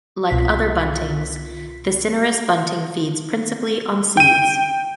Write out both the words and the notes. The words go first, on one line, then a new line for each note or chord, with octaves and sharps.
Like other buntings, the cinereous bunting feeds principally on seeds.
C2 B2 F4 B6
G5 D#7